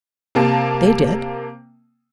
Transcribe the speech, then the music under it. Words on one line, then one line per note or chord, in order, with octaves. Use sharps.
"They did."
C3 A#3 A5